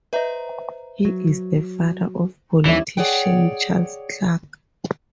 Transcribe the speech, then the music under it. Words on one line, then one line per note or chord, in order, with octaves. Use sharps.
He is the father of politician Charles Clarke.
B4 C5 D#5 E5 A#5
F#3
D#2 D#3 E3 G3 C#4 E4
G#4 C#5 D5 F#5 G5